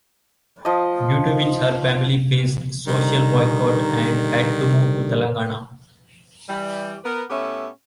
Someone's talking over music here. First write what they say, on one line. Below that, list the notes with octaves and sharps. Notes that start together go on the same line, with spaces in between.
Due to which her family faced social boycott and had to move to Telangana.
F3 D#5
D3 D#3 G3 D#4 A#5
E3 G3
B3 A#4 B4
A2 B3 C#4 G4 A4 E5